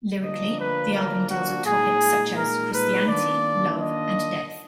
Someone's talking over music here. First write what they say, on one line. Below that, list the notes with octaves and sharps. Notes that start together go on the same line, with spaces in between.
Lyrically, the album deals with topics such as Christianity, love and death.
D3 F3 A#3 D4 D#5
B4
A#4
F#4
A#2 G#3 D#4 G#4
A#4
B4
D#3 A#3 D4 F4 D5
D#5